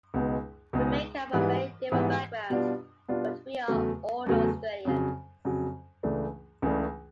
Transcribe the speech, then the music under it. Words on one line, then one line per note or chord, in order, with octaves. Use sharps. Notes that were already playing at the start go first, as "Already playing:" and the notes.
We may come from many different backgrounds but we are all Australians.
C#2 B2 G#3 B3 D#4
C#2 B2 G#3 B3 D#4
G#2 E3 G3 B3
G#2 E3 G3 B3
B2 G3 B3 D4 F4
B2 G3 B3 D4 F4
E2 C#3 F#3 A3
E2 C#3 F#3 A3
F2 C#3 F#3
F2 C#3 F#3
C#2 C#3 E3 A3 D4
C#2 C#3 E3 A3 D4